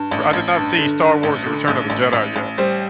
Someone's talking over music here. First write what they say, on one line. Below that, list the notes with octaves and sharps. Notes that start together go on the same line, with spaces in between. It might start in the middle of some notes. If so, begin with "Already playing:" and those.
R I did not see Star Wars and Return of the Jedi yet,
Already playing: G2
A1
A1
G2
D3
G2
A1
D3
A1
A1
A1
A1
G3 C5